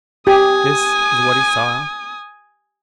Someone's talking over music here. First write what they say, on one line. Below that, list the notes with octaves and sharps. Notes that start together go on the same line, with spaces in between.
This is what he saw.
G4 G#5 D#6